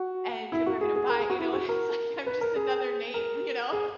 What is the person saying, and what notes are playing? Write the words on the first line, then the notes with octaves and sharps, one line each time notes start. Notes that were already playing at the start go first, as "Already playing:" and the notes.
and people are gonna buy it," you know, and it's like I'm just another name, you know.
Already playing: F#4
E4
F#4
G#4
G#4
A#4
G#4
F#4
E4
F#4
A#4
B4
A#4
G#4
A#4
G#4